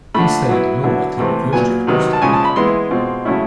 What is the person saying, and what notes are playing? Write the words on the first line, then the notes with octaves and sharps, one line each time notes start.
He studied Law at the University of Costa Rica.
D3 F3 A3 B5
F#3 B3 E4
D3 F#3 B3 E4
C3 E3 A3 C4
A#2 F#3 B3 G#5
C3 D#3 F#3 B3
A5
C#3 F3 G#3 C#4 G#5
A5
B5
E3 G#3 B3 E4 C6
B2 G#3 C4 F4
C#3 F#3 A3 C#4 E4